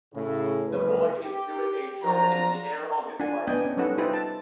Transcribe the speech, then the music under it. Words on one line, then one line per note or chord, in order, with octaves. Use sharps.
The boy is doing a jump in the air on his bike.
A2 C#3
F#1 F2 C3 G#3 B4
G4
F3 F#3 D4 F4 A#5
D4 F4 F#5 G#5
B3 D4 D#5 G5 G#5
C#4
G3 C#4 D#4 A4 B4 F#5
D#4 F4 G4 B4 C5 E5
A5